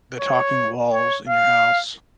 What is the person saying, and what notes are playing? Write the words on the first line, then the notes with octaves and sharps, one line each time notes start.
the talking walls in your house,
C#5
C#5
F5